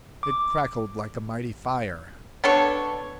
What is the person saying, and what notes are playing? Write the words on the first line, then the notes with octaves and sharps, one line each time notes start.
It crackled like a mighty fire.
D6
B3 D4 A4 C#5